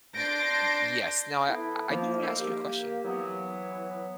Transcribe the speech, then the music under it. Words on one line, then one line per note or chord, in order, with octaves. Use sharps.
Y y yes. Now I I do wanna ask you a question.
D4 C6 G6 A6 A#6 D7
E3 A3 B3 E4
F3 A#3
D#4 E4 A4 A#4 C5
A#3 G4
E3 F#3 B3